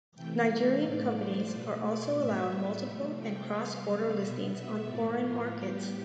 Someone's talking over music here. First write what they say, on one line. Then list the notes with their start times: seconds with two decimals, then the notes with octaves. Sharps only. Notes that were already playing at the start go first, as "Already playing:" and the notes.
Nigerian companies are also allowed multiple and cross border listings on foreign markets.
0.16 C3 E3 A3 G5
0.50 F5
0.83 A2 F3 A3 D5
1.17 C5
1.51 B2 A3 B4
1.85 D5
2.18 A2 G3 B3 E5
2.52 E5
2.86 C3 F3 A3
3.19 G5
3.53 C3 G3 B3 F5
4.19 B2 B3 E5
4.53 E5
4.86 A2 F3 A3 D5
5.21 F4
5.53 A2 G3 B3 G4